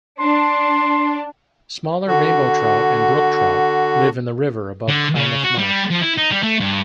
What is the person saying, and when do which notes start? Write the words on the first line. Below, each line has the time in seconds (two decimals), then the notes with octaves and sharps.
Smaller rainbow trout and brook trout live in the river above Klamath Marsh.
0.19 D4 C6
2.08 D3 F#4
4.88 D3
5.16 C#3
5.44 F#4
5.58 G3
5.90 F3
6.02 E4
6.17 D#4
6.31 G3
6.43 A3
6.60 G2